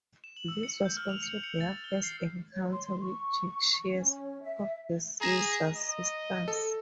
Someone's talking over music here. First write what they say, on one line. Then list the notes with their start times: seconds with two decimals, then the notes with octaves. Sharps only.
This was also their first encounter with Jake Shears of the Scissor Sisters.
0.24 E7
0.36 F#7
0.48 E6
0.63 C#7
0.85 G6
0.97 F6
1.09 F7
1.23 C#7
1.44 C#7
1.61 A6
1.84 G7
2.03 C7
2.53 C#5
2.69 C6
3.01 C#6
3.90 C#4
4.41 E5
5.21 G#4 A#5 A#6 E7
5.75 D#5
6.48 A4